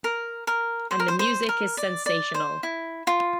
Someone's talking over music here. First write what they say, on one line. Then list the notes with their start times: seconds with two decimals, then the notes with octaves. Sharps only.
And the music is sensational.
0.04 A#4
0.47 A#4
0.91 C5
1.00 A#4
1.08 C5
1.19 C5
1.49 A#4
1.77 D5
2.06 D5
2.34 C5
2.63 E4
3.07 F4